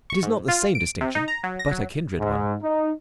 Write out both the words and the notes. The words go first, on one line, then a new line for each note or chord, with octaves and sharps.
It is not the same distinction, but a kindred one.
C#6
G#2
F4
D7
C3
D#4
A#5
F#3
A#6
F#3
G#2
D#4